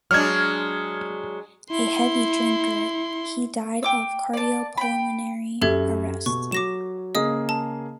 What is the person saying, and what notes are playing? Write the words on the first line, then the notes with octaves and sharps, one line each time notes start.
A heavy drinker, he died of cardiopulmonary arrest.
F#3 G#3 D4 F6 G#6
E4 C6
G5 D6 E6
D5 A5
G5 B5
F#2 G4 A4 E5 G#6
B2 C#6
F#3 D6 A#6 E7
C#3 A#3 G#4 D#5 D#6
A5